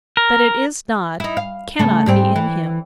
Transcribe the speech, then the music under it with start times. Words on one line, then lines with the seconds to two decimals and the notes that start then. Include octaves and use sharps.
But it is not, cannot be in him.
0.17 A#4
1.20 D#4 E4
1.37 F5
1.79 C#3 A3
2.06 G#2 G3 C4
2.36 E3